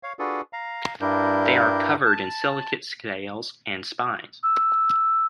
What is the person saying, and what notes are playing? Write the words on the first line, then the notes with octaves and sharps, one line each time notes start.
They are covered in silicate scales and spines.
C#5 F5
D4 F4 F#4 G#4 A4 B4
F5 A#5
G2 G3 D4 E4 A#4 G6
A5
E6